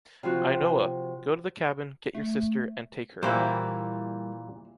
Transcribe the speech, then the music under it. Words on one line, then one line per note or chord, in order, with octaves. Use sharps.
Ainhoa, go to the cabin, get your sister, and take her.
C3 F3 F4 F#4
A3
A#2 E3 G3 A#3 E4 F#4 C5